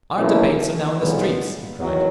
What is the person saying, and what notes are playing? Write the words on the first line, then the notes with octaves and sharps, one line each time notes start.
"Our debates are now in the streets," he cried.
B1 B2 A#3 C#4 E4
B1 A#2 G#3 B3
E2 D#3 F#3